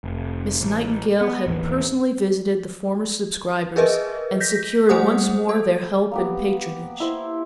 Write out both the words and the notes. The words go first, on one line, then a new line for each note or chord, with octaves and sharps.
Miss Nightingale had personally visited the former subscribers, and secured once more their help and patronage.
F1
A1
B3
A1 D#2 E3
G#4 A#4 B4 D#5 E5
G6 A#6 B6
G3 A3 G#4 C5 F#5 D#6
A4
A#3 B3 G4
E4 C5